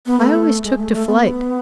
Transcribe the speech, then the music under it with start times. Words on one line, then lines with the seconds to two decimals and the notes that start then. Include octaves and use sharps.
I always took to flight.
0.06 B3
0.20 A3
0.64 G#3
0.78 A3
0.92 A3
1.07 B3